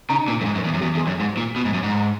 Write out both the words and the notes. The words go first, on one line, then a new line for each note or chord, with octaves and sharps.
Hall was recruited to join what would become Guy.
C#3
A#2
F#2
G#2
F#2
E2
F#2
E2
E2
F#2
G#2
A#2
B2
G#2
F#2
G#2